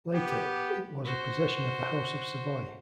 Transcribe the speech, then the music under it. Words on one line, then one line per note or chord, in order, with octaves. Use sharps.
Later it was a possession of the House of Savoy.
B3 G4
F#4 C5